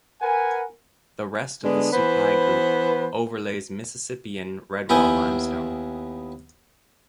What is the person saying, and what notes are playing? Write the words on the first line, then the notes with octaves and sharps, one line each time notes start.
The rest of the Supai Group overlays Mississippian Redwall Limestone.
A#4 B4 F#5 G#5
D3 G#3 B3 D4
E3 B3 B4 C5
D#2 B3 E4 G5 G#5 D#6